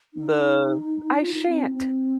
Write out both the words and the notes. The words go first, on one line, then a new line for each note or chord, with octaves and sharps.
the "I shan't,
D#4
F4
D#4
C4
C4